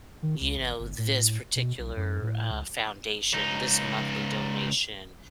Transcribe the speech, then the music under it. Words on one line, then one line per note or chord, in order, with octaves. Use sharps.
you know, this particular, uh, foundation, this monthly donation,
D#3
C#2
G#1
G1
A2
B2
B1
F#2
A2
C#2
C#2 D#4